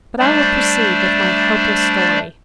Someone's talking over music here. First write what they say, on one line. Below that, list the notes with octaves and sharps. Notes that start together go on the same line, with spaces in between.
But I will proceed with my hopeless story.
G3 A3 D4 C5 D5